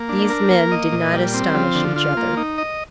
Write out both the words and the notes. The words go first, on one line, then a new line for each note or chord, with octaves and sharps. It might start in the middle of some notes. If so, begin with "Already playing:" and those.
These men did not astonish each other.
Already playing: A#3
D4
A#4
A#3
D#5
A#2
G3
C4
F3
D3
F4
A#3
D#4
D#5